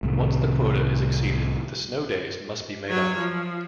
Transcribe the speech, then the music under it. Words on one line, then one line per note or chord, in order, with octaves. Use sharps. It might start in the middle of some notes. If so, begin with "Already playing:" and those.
Once the quota is exceeded, the snow days must be made up.
C2 A2 C3 D#3
F#3 C#5
F3